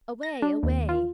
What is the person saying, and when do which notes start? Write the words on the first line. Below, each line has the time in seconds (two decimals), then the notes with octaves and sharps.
Away! away!
0.23 A#6
0.42 D4
0.63 D#2
0.89 F4